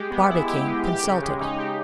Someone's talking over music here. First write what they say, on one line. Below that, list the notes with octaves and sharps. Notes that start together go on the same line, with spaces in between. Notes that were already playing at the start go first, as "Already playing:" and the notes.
Barbicane consulted it.
Already playing: G#3 G4
B3
E4
G4
G#3
G4
C#3
G#3
D#4
G4